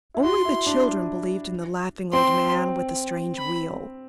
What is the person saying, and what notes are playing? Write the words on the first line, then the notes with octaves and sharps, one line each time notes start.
Only the children believed in the laughing old man with the strange wheel.
E4
F#4 C6
E4
D4
C4 C6
B5